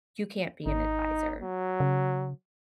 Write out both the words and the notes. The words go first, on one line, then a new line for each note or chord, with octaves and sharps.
you can't be an adviser."
G#1 D#4
F#3
C#3